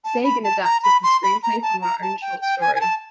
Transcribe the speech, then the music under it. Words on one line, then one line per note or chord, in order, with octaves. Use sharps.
Sagan adapted the screenplay from her own short story.
A5
B5
A5
A#5
B5
C6
B5
A#5
A5
A#5
A5
G5
G5
G#5
G#5
A5